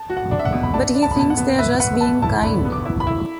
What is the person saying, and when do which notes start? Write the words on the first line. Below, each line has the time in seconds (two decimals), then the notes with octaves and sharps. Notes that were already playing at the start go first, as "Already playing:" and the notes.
But he thinks they are just being kind.
Already playing: A5
0.10 F#4
0.17 F#5
0.31 D4
0.39 E5
0.45 F#5
0.53 B2
0.63 B5
0.74 D4 A5
0.94 D4
1.02 A5
1.11 B5
1.15 B2 A5
1.30 F#5
1.37 B3
1.59 B4 E5
1.80 B4 F#5
2.00 B4 A5
2.22 E4 A5
2.44 D3 B5
2.65 B3
2.72 D6
2.86 E4
3.00 B5
3.07 E4